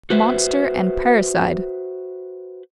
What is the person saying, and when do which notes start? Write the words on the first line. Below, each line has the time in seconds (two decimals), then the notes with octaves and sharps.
Monster and parricide!
0.10 F#4 B4 C5 E5